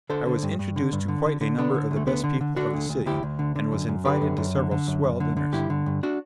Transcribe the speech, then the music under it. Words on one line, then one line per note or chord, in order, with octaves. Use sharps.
I was introduced to quite a number of the best people of the city, and was invited to several "swell" dinners.
D3 A4 C5
D3
G2
G2
D3
G2
D3
D3
D3
D3 B3 D4
D3
D2
A3
D3 B3
D3
D3
D3 D4 F#4
D2
D2
D2 E4 G4
D2
D3
D3
F#2
F#2
D3 G4 B4
F#2
F#2
D3
D3
F#2
F#2
D3
D3
G2 E4 G4
D3
G2
D4 F#4